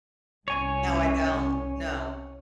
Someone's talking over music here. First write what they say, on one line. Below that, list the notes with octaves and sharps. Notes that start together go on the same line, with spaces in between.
No, I don't, no,
C2 C#4 C#5 G#5